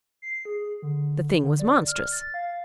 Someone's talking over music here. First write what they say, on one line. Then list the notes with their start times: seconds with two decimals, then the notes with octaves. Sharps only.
The thing was monstrous.
0.22 C7
0.45 G#4
0.82 D3
1.42 D3
1.60 D5
1.88 F6
2.12 A6
2.34 F5